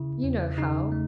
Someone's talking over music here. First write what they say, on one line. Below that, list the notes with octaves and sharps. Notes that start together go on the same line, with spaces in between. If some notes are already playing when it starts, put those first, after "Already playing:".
You know how!'
Already playing: C#3 E4
E2
C#3 D#4
A3